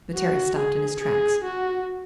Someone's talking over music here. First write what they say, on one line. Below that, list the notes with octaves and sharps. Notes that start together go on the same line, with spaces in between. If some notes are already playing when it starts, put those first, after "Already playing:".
But Terry stopped in his tracks.
F#4
G#4
G#4
F#4